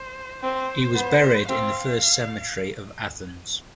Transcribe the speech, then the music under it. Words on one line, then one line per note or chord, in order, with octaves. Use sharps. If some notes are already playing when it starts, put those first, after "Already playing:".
He was buried in the First Cemetery of Athens.
Already playing: C5
C4 C5
B3
C4 F5